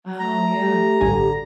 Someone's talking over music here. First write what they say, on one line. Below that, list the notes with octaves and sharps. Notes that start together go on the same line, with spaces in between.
Oh, yeah.
A3 A#5
A3 G4
A1 G2 D3 G#5